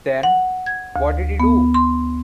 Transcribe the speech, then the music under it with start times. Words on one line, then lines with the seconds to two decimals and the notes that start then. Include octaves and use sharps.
Then what did he do?
0.23 F#5
0.66 G#6
0.96 D2
1.40 B3
1.74 C6